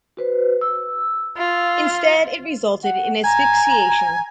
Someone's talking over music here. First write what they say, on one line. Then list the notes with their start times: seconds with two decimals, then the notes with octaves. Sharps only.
Instead, it resulted in asphyxiation.
0.17 F#4 B4 C5
0.61 E6
1.37 F4
2.83 F#5
3.24 G#5 A#5